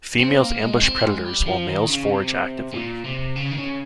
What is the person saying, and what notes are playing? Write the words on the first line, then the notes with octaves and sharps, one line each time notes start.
Females ambush predators while males forage actively.
C4
A#3
G#3
C4
G#3
G3
F3
D#3
C#3
C3
A#2
C3
C#3
D#3
C#3